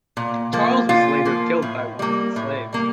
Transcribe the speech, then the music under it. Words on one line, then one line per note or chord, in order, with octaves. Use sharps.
Charles was later killed by one of his slaves.
A#2
F3 A#3
A#2 F4
F3 A#3
A2
G3 A#3
A2
G3 A#3